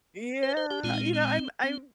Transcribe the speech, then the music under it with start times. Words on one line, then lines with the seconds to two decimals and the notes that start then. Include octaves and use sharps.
Yeah, you know, I'm I'm
0.43 C5
0.57 C5
0.71 G4
0.83 A#2 G#3 C4 F4
0.94 D#4
1.13 C4
1.64 C4